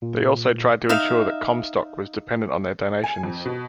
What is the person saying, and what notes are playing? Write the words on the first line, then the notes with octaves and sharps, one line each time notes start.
They also tried to ensure that Comstock was dependent on their donations.
A#2
D#4 E5 F5
G#5
F2
B2